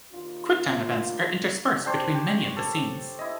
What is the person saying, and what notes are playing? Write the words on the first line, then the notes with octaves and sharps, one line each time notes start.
Quick Time Events are interspersed between many of the scenes.
D#2 D4 F4
D4 G4 C5 C#5
G4
A4
E4 D#5